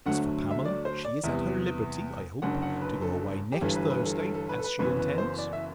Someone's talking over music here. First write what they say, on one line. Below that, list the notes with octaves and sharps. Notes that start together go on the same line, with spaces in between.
As for Pamela, she is at her liberty, I hope, to go away next Thursday, as she intends?
D2 D3 F#3 A3 F#5
E5
D5
C5
D5
E2 C3 G3 B3 E5
F#1 F#2 D3 F#5
F#5
B4
A4
G4
G1 G2 E3 G3 A4
B4
B4
A4
A4
A4
B4
A4
B4
F#1 F#2 E3 B3 B4
B4
C5
D5
E5